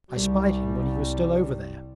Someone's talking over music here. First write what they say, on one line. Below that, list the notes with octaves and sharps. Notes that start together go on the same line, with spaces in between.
I spied him when he was still over there.
C2 G3